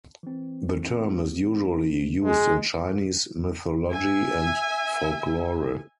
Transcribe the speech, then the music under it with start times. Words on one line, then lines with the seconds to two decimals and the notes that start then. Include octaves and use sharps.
The term is usually used in Chinese mythology and folklore.
0.23 E3 C4
2.23 G#3
3.90 E5 G#5